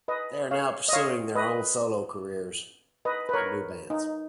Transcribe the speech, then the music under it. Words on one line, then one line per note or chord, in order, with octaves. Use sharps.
They are now pursuing their own solo careers and new bands.
B4 D#5
C#5 F5
D#5
C#5 F5
B4 D#5
B4 D#5
B4
A#4 C#5
D#4